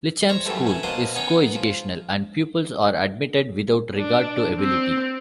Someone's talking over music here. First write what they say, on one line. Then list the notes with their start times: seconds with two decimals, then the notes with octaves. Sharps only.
Litcham School is coeducational and pupils are admitted without regard to ability.
0.29 C5 C#5 A#5
0.46 F#2 A2 E3 G3 A3
0.67 C#4 E4
0.83 B2 A#3 D4 C5 C6 D#6
1.15 B3 C#4 D#4 C#5 G5
1.56 F3
3.98 D4
4.59 C4